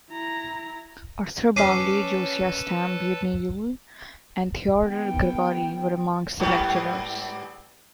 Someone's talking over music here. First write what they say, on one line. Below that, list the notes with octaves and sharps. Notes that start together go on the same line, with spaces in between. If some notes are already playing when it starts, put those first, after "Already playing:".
Arthur Bowley, Josiah Stamp, Udny Yule, and Theodore Gregory were amongst the lecturers.
E4 A#5
C#4 A4 B4 A5 D6 B6 C7 D#7
B3 G5
G#2 G3 B3